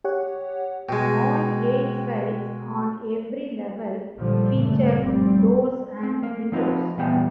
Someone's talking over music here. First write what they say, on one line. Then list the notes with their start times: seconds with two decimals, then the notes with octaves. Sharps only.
All eight sides on every level feature doors and windows.
0.04 G4 C#5 F#5
0.89 B2 G#3 G5
4.19 A#2 D3 F3 G3
4.54 G2 A#2 C#3 A3
5.01 F1 G3 C4
6.03 C4
6.23 A#3
6.52 F3 C4 D#4 F4 B4
6.97 A#2 E3 G3 B3 G5